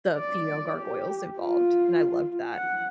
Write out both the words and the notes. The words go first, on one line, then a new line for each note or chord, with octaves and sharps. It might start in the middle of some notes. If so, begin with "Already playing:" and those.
the female gargoyles involved, and I loved that.
D5
G4
F4
F#5